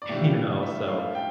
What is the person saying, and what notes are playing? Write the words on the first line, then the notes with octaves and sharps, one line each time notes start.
you know? So,
D5
A2 G3 D4 F4 E5
E5
F5
G5